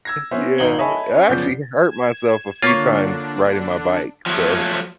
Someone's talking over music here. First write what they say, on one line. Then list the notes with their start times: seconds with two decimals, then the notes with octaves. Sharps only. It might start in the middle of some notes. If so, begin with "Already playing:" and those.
yeah. I actually hurt myself a few times riding my bike. So,
0.05 E6 G#6 A#6
0.31 B3 C#4 C5 E5
0.58 G#1 D#4 F5 F#7 G7
0.78 C#5 D#5 E5 G#5 A5 B5
1.14 C#4
1.29 F#2 C#3 F3 B3 D5 G6
1.75 G#6 E7
2.62 D3 A#3 D4 F4 C#5 C#6
4.26 F3 F#3 A3